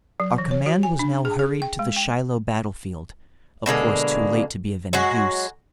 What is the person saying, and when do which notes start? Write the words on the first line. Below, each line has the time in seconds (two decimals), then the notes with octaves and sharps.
Our command was now hurried to the Shiloh battlefield, of course too late to be of any use.
0.20 F#3
0.38 E3
0.51 C#5
0.66 F#4
0.83 G#5
0.99 D4
1.25 G#4
1.39 G#4
1.62 G5
1.79 G#3
1.96 G5
3.66 B2 D3 G#3 A#3
4.93 F#3 G#3 F#4